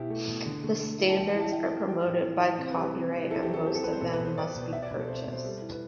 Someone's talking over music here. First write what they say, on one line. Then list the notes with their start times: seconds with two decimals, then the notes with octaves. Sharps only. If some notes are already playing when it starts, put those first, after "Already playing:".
The standards are protected by copyright and most of them must be purchased.
Already playing: B2 E4 G4
0.10 A3
0.28 B2
0.46 D3
0.64 A3
0.81 A3
0.99 E4
1.09 A5
1.17 E3 G5
1.29 A5
1.35 E4
1.41 A5
1.52 E4 G5
1.70 E4
1.87 G3 G5
2.05 A2
2.23 E3
2.41 E3
2.59 C3 C5
2.71 B4
2.77 G3
2.83 B4
2.95 C4
3.13 C4
3.30 E4 A4
3.43 G4
3.48 F#3
3.54 A4
3.66 C4 G4
3.75 A4
3.84 C4 B4
3.93 C5
4.01 B2 A4
4.13 B4
4.20 B2
4.25 C5
4.38 B2 D5
4.55 B2
4.73 B2 E5
4.82 D5
4.91 B2 B4
5.00 A4
5.08 C4 C5
5.21 C5
5.27 B2
5.32 C5
5.44 G3 A4
5.62 E4
5.72 B4